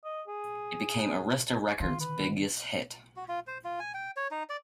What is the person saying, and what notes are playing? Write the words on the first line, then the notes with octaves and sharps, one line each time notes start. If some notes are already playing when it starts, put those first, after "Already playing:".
It became Arista Records' biggest hit.
D#5
G#4
D3 D#3 F4
B4
F#4
F4
C5
F4
G#5
G5
C#5
D#4
D5